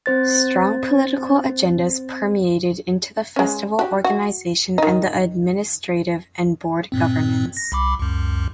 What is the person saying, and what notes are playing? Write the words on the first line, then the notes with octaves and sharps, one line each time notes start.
Strong political agendas permeated into the festival organization and the administrative and board governance.
C4 C5 A6
G#3 C#4
F#4 G4
F#4
D#3 D#4
G2 A#2 C4
A#6
C2 B5 D6
C#2 F#2